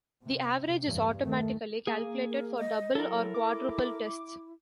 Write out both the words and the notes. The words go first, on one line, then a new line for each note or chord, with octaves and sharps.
The average is automatically calculated for double or quadruple tests.
C3
E2 G2
D#3 A3
A#3 G#4
A#4
D#5
F#3 E4 A4 A#4
D6